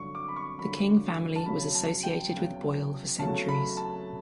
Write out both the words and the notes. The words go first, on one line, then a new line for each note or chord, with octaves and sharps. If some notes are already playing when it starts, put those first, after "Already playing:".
The King family was associated with Boyle for centuries.
Already playing: G2 D3 F#3 C#6
D6
B5
C#6
G2 D3 F#3 B5
A5
E2 C#3 F#3 B5
A5
G5
E2 C#3 F#3
E2 C#3 F#3 A3 A5
B5
A5